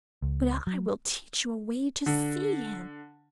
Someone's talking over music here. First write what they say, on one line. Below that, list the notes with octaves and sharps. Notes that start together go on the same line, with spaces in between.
But I will teach you a way to see him.
C#2
F#3
D3